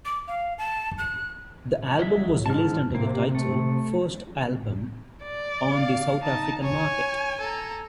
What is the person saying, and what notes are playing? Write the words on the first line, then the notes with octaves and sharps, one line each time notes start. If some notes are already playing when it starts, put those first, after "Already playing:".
The album was released under the title First Album on the South African market.
D6
F5
A5
F#6
F#3 G#3 E5
G#2 A5 F6
C3 A#3
A3
D5
F5
D#4 A5
C#5 G#5
A4 A#5